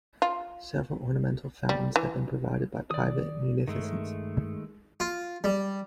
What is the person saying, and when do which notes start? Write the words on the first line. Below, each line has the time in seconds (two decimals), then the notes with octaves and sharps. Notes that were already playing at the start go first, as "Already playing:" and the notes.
Several ornamental fountains have been provided by private munificence.
0.22 F4
1.69 G3
1.96 E3
2.91 D#3 D5 D#6
3.68 G2 D#3 G#3 A3
5.00 F4
5.44 G3